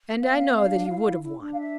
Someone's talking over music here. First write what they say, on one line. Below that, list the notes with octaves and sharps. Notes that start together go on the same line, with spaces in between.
And I know that he would have won.
C4 F5
B3
C4
D4
E4
E4
E4
D4
F5
E5